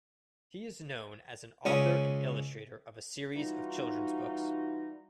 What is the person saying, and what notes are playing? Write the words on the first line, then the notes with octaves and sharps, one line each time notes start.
He is known as an author and illustrator of a series of children's books.
C#2 C#4 D#6
E3 G3 D#4 F4 F#4